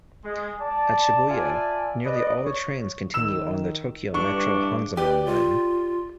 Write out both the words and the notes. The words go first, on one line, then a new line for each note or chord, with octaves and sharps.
At Shibuya, nearly all the trains continue on the Tokyo Metro Hanzomon Line.
G#3
D5 A5
F4 D5 E5 G#5 A5
B4 D5 D#5
C#5
D#3 E6 E7
G2 D3 E3 D4 C#6
G4 B4 D5
F4